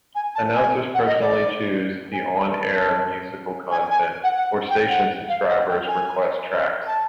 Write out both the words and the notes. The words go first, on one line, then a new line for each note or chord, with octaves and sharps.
Announcers personally choose the on-air musical content, or station subscribers request tracks.
G#5
A5
G#5
F#5
D#5
D5
G#5
A5
A5
G#5
G#5
F#5
F#5
G5
F#5
F5
F#5
G5
G#5
A5